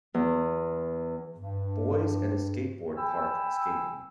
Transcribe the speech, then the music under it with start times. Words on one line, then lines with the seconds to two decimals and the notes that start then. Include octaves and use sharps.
Boys at a skateboard park skating.
0.14 E2
1.37 G2
2.97 G5 G#5 B5 E6